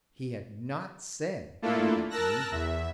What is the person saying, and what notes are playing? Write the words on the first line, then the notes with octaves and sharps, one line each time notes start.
He had not said he did not mean them.
A3 A#3 D4 E4 F4 A4
A#4 A5 E6 F#6 A#6
E2 E5